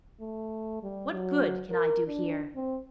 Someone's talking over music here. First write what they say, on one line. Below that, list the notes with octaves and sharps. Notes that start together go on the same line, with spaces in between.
What good can I do here?
A3
G3
F#3
A#4
D4
C4